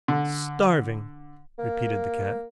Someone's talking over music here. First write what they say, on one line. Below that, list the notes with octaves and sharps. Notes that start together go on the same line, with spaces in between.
"Starving!" repeated the Cat.
D3
A#3